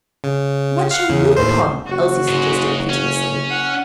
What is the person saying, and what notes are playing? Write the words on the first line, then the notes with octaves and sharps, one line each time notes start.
'What shall we live upon?' Elsie suggested, piteously.
C#3
F5 F#5
E2 C#3
D#2 A2 C5
F#1 F#4
G#2 G#3
C#4
F#5